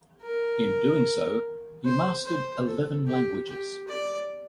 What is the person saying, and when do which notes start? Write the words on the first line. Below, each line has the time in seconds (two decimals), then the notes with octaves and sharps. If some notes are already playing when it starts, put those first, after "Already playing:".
In doing so, he mastered eleven languages.
0.22 A#4
1.85 C5
2.25 C5
2.66 A4
3.07 G4
3.48 G4
3.88 D5